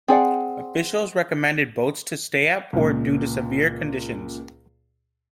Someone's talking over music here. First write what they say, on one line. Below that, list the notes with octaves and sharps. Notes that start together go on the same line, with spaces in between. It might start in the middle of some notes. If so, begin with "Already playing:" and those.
Officials recommended boats to stay at port due to severe conditions.
C4 G#4 D5 F#5
C#2 A#2